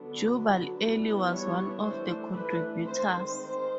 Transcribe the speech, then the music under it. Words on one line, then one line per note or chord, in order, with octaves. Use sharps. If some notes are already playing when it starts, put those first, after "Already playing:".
Jubal Early was one of the contributors.
Already playing: D3 F#3 B3 D4
E3 G3 B3 D4
C#5
E3 A3 D4 C5
B4
D#3 G#3 C4 C5
C5